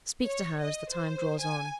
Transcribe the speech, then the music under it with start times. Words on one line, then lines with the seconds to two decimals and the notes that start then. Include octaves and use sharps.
Speak to her, as the time draws on.
0.23 C#5
0.60 D#5
0.89 C5
1.40 G#5